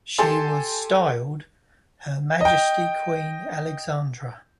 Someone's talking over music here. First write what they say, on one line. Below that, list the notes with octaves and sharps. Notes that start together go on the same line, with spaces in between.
She was styled "Her Majesty Queen Alexandra".
G4 A4 G#5 A5 C6
D#5 G5